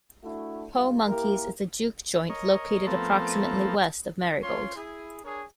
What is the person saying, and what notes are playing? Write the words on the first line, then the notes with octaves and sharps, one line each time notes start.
Po' Monkey's is a juke joint located approximately west of Merigold.
A3 D4 E4 F#4
G#2 G3 F4
A#3 E4 G4 A#4
A#4 C#5 D#5
F3 A3 B3 C4 A4 A#4
C#4 F4 C#5 C6
E4 G#4
D4 G#4 A#4 C#5